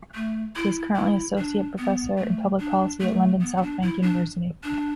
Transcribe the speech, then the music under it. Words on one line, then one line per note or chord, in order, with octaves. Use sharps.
He is currently Associate Professor in Public Policy at London South Bank University.
A3
E4
E4
D4
B3
A3
D4
A3
B3
B3
D4
E4
D4
D4